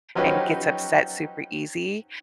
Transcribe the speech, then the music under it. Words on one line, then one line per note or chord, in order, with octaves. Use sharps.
and gets upset super-easy,
F3 F#3 C#4 D#4 G4 B4